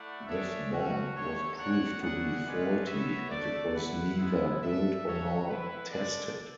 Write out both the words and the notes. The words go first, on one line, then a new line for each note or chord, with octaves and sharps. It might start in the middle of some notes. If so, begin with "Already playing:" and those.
This bomb was proved to be faulty, and it was neither built nor tested.
Already playing: A3 E4 D5 F#5
D4 G#4 C#5 E5
A3 C#4 F#4
A3 D4 A4 C#5
D4 F#4 C#5 F#5
E4 G#4 D5 F#5
G#3 C#4 G#4 B4 D5
B3 F#4 C#5 E5
A3 D4 A4 D5
E4 B4 F#5
G#3 B3 E4
D4 A4 E5
C#4 F#4 A4 C#5 E5
B3 E4 B4
G#3 D4 A4 D5